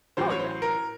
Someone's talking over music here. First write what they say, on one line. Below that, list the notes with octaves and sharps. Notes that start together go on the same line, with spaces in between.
Oh, yeah.
A1 A2 F#3 C5
C#5
C5
A#4